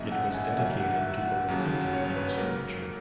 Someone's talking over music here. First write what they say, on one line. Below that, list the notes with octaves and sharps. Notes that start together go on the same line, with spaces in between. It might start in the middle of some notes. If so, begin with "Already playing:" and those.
It was dedicated to both painting and sculpture.
Already playing: D#2 C#3 F#3 A#3 D#5 E5
F#5
F#5
G#5
F#5
D#2 D#3 F#3 A#3 E5
F#5
D#2 C#3 F#3
C#5
B4
G#2 F#3 A#3 A#4